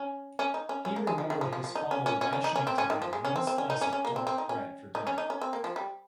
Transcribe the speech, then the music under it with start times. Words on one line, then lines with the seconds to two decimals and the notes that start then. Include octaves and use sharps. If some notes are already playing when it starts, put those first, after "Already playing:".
He remembered his father rationing to him one slice of dark bread for dinner.
Already playing: C#4
0.39 C#4
0.54 D#4
0.69 C#4
0.85 C#4
0.96 A#3
1.07 G#3
1.18 F3
1.30 D#3
1.41 F3
1.53 F3
1.64 F3
1.75 D#4
1.91 C#4
2.06 C#4
2.21 C#4
2.33 C#4
2.44 D#4
2.56 C#4
2.67 C4
2.78 C#4
2.90 D#3
3.02 F3
3.13 G#3
3.25 C#4
3.36 C4
3.47 C4
3.58 C#4
3.70 D#4
3.81 C#4
3.93 C#4
4.05 A#3
4.16 C4
4.27 C4
4.38 D#4
4.49 C#4
4.95 D#4
5.07 C#4
5.18 D#4
5.30 C#4
5.41 C4
5.53 A#3
5.64 F3
5.76 G3